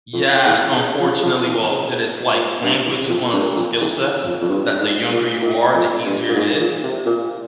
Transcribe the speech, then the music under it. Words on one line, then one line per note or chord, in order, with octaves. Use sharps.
Yeah, unfortunately, well, it is like language is one of those skill sets that the younger you are, the easier it is.
F2
E2
C#3
F3
F3
E3
C#3
A#2
G2
E2
F2
G2
F2
E2
F2
F2
G2
G#2
A#2
A#2
F2
G2
A#2
G#2
A#2
C3
A#2